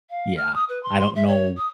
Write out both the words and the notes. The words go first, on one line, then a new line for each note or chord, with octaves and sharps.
Yeah, I don't know
F5
F6
D#6
B4
C6
C6
E5
C#5
D#6